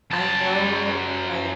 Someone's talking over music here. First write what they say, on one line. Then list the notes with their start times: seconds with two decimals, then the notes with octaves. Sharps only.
I know, like,
0.11 F#2 A5